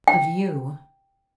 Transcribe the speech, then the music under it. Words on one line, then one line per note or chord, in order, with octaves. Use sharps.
"Of you?"
G5